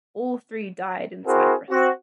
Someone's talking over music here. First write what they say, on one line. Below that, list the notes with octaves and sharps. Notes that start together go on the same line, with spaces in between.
All three died in Cyprus.
C4 E4 F#4 G#4 A#4 C5
C4 F#4